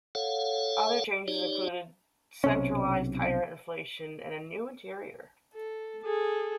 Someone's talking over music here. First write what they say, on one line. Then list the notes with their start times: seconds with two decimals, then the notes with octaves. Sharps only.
Other changes included centralized tire inflation and a new interior.
0.15 A4 C#5 F5 F#5
1.28 D#4 G4 C#5 D5
2.44 B1 C3 C#4
5.54 A4
6.03 G#4 A4